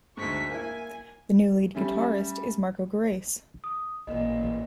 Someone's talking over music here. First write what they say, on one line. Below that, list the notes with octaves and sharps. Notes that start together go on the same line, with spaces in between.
The new lead guitarist is Marco Gerace.
D2 G#2 C#6 B6
A#3 E4 G#5
G3 A3 C#4
D#6
A1 A#2 D#5